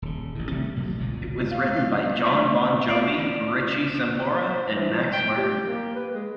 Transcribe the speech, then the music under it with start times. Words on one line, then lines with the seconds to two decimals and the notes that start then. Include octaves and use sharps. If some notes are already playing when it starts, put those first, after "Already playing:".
It was written by Jon Bon Jovi, Richie Sambora, and Max Martin.
0.02 D#1 C#3
0.35 A1 A2
0.52 C3 D#3 G3 A3
0.76 A1 B2 F#3 A#3
0.99 G1 C#2 A#2
1.51 F5
2.24 A3
2.88 D5 F5
3.17 C#4
4.42 C5
4.76 E3
4.91 F3
5.13 G5
5.37 G4
5.66 A#3
5.96 B4
6.14 G#3